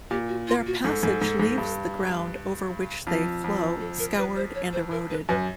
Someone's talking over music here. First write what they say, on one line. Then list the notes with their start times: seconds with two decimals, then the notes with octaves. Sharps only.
Their passage leaves the ground over which they flow scoured and eroded.
0.11 A#2 G4
0.29 F#4
0.48 F4
0.66 F#4
0.84 G#2 A4
1.03 G#2
1.22 G#2
1.40 G#2
1.58 G2
3.07 F2
3.44 F2
3.80 A4
3.99 A#4
4.18 B4
4.36 C5
4.55 C#5
4.73 C5
4.91 A#4
5.10 B4
5.29 F#2 B4